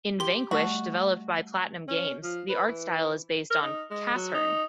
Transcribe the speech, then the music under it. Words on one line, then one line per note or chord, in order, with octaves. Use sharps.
In "Vanquish", developed by PlatinumGames, the art style is based on "Casshern".
G4 C6 G7
G3 A3 F#4 A5
C#4
F3
B4
E3
A#4
D#4
G#3
F#3
D#4